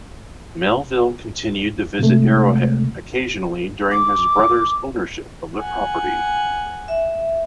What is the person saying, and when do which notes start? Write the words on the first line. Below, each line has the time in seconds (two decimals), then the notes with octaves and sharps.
Melville continued to visit Arrowhead occasionally during his brother's ownership of the property.
1.99 C3 G#3 A3
3.91 D6
5.58 F#5 G#5
6.88 E5